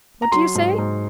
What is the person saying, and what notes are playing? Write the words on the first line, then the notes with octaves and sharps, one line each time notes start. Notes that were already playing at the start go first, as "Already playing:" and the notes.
"What do you say?"
A#5
F#3 C6
G#2
G#2